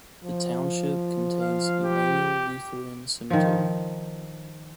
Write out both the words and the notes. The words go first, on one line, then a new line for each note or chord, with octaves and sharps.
The township contains Emmanuel Lutheran Cemetery.
F3
F5
G4
D#3 F3